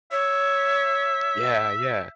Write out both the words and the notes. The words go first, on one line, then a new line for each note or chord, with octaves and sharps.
Yeah, yeah.
C#5 E5